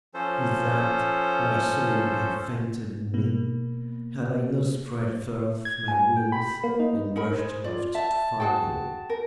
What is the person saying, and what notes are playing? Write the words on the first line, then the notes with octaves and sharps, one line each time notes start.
With that my soul would have fainted in me, had I not spread forth my wings and rushed aloft to find him.
F3 C#4 A4 C5
B2 A#3
G#6
G#5
G5
B5
A#3
D#4
D#4 A#4 B5
G#4 C5
F4 D5
E5 A5
F#4 G#4 G5 A5
A#4